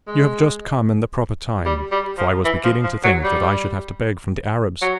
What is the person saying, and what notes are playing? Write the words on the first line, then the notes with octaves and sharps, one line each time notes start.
You have just come in the proper time; for I was beginning to think that I should have to beg from the Arabs.
G#3
G3
G3
F3
E3
F3
F3
F#3
G3
F#3